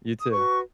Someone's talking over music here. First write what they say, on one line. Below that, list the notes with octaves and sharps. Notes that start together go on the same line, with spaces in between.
You, too.
D#6
F#4 B4 C#6